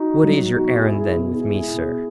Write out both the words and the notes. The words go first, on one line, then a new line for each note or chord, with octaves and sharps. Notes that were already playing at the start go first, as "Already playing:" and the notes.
"What is your errand, then, with me, sir?"
Already playing: D#4 F#4
F#3
B2 D#4 F#4
E4 G#4
G#3
E4 G#4
B2
E4 G#4
G#3
E4 G#4
B2